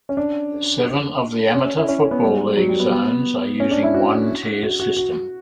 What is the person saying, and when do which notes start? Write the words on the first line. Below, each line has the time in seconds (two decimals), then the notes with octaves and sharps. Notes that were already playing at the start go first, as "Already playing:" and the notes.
Seven of the Amateur Football League zones are using one-tier system.
0.09 C#4
0.17 D4
1.54 C#4
1.66 C#4
1.77 E4
1.89 C#4
2.00 C#4
2.11 B3
2.23 G3
2.57 F#3
2.68 G3
2.80 B3
2.92 B3
3.60 C#4
3.71 D4
3.83 E4
3.94 F#4
4.63 F#4
4.80 F#4
4.97 F#4